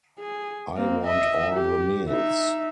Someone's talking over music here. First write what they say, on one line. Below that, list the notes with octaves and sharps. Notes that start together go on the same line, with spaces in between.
I want all the meals.
G#4
A#3 C4
D#5 E5
G4
D#4 E5